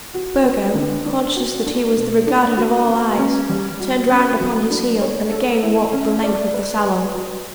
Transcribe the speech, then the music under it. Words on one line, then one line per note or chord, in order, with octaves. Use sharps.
Burgo, conscious that he was the regarded of all eyes, turned round upon his heel and again walked the length of the salon.
F#4
B3
D3
D4
F#4
D4
B2
D4
F#4
B3
C#4
G3
F#4
C#4
F#3
D4
C#5
A4
E4
C#4
D5
B4
B4
F#4